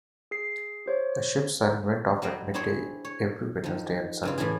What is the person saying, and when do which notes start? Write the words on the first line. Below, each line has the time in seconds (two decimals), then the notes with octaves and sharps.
The ship's siren went off at midday every Wednesday and Sunday.
0.31 G#4 C7
0.86 G4 C5 C#5
2.22 F#3 G3 C4 G4 C5 D#5
2.54 C4 D4 E4 G#4 C5 C#5
3.05 C#5
3.64 D#3 F3
4.23 G2 C#3 F4
4.38 A2 E3 D4 E4 G#4